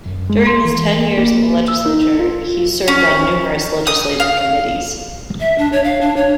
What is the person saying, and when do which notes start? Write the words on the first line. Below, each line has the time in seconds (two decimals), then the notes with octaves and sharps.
During his ten years in the Legislature, he served on numerous legislative committees.
0.06 F#2
0.30 G#3
0.47 C6
0.65 E3
1.18 A#3
1.68 E6
1.86 D#4
2.20 F4
2.88 C#4
3.87 D#6
4.20 F5
5.40 E5
5.58 D4
5.72 C#5
5.84 F5
6.01 D4
6.16 C#5